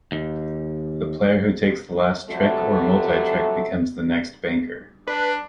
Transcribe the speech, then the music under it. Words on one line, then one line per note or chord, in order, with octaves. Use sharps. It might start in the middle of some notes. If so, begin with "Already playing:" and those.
The player who takes the last trick or multi-trick becomes the next banker.
D#2
F2 D3 F#3 G3 A3
D4 B4